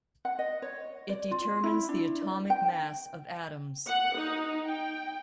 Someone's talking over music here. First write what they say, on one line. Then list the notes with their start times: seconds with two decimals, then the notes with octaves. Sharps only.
It determines the atomic mass of atoms.
0.25 F#5
0.39 D#5
0.62 C#5
1.09 D5
1.31 F4
1.64 E4
1.89 D4
2.22 D5
2.50 G5
3.86 F#5
4.16 D#4
4.65 G5